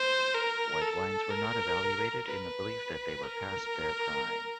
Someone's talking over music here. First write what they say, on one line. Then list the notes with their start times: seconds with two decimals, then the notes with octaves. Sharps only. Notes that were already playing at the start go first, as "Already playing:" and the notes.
White wines were not evaluated in the belief that they were past their prime.
Already playing: C5
0.34 A#4
0.81 A4
1.31 A#4
2.26 B4
3.23 A#4